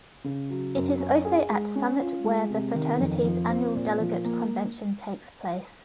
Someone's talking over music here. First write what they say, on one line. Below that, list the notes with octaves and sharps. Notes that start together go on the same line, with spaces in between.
It is also at Summit where the fraternity's annual Delegate Convention takes place.
C#3
F#3
F#2
C#4
G#4
G#3
C#4
F4
G#3
C3
D#3
F2
F3
C4
A#2
F3
A#3